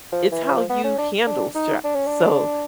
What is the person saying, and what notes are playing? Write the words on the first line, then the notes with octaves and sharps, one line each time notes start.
it's how you handle stress, so.
F3
E3
E3
F3
B3
C#4
D4
D4
D#4
D4
C#4
D4